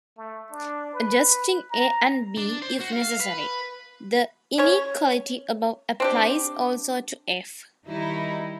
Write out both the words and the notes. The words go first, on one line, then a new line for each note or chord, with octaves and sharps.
Adjusting "A" and "B" if necessary, the inequality above applies also to "F".
A3
D4
B4
A#5
D4
C5
F#4
F5
B4
C#4 C#5
C4 D4 G4
D#3 G3 D#4 E4